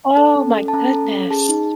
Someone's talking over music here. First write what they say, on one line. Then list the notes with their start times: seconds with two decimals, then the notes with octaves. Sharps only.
Oh, my goodness.
0.17 A4 A5
0.36 C#4
0.55 A4
0.68 A5
0.73 C#4 A#5
0.93 A4
1.11 C#4
1.30 G#4 A5
1.49 D#4